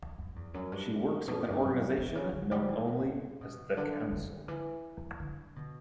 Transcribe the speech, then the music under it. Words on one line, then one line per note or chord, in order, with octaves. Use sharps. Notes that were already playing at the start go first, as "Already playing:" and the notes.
She works with an organization known only as "The Council".
F#2
E2
F#2
G2
B2
A2
G2
F#2
B2
C#3
D3
G3
E3
B2
C#3
B2
D3
D3
E3
D3
B2